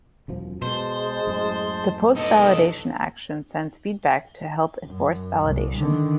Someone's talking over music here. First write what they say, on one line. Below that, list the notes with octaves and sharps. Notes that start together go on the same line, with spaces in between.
The Post-validation action sends feedback to help enforce validation.
E1 F#2 F3
B2 G#3 C5 A5
F#2 A2
B3 D#4 A4 D#5
F#2
C2
D3 D#3